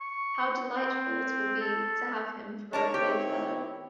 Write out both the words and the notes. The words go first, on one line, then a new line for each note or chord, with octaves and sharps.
How delightful it will be to have him for a playfellow!
C#6
C4
A4
D#4 A#4 C#5 D5 A5
D#3 C4 E4 G4 C#5